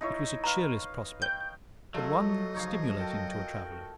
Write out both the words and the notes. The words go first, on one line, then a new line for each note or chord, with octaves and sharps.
It was a cheerless prospect, but one stimulating to a traveller.
D#4 E4 C#5
B4 F5 A#5
G5 G6
F#3 A3 F4 A4 D#5
C#3 F3 D#4 C#5 F5
F#4 A4 A#4 G5